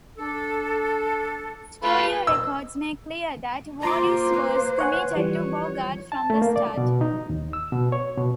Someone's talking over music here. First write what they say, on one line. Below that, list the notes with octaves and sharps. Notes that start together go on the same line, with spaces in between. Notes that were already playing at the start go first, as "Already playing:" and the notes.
Studio records make clear that Wallis was committed to Bogart from the start.
D4 A4
A3 F4 B4
E6
A#3 F4 C5 A#5 C6 D6
B4
C#5 F#5 G#5
E3 F3 G3 C#5
A5
A3
A#3
D5
B2
D#4
D#2
E6
B2
C#5
B2